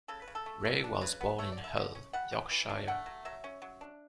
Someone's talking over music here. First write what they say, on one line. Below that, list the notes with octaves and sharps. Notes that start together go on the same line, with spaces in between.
Wray was born in Hull, Yorkshire.
C#3 A4
B4
C#3
A4
A3
E3
D4
C#3 B4
B3
A3 C#5
D5
D3
E5
D3
C#4
G3 F#5
E3
E3
D4
A3 F#5
F#3
F#3 E5
C#4
F#3
D4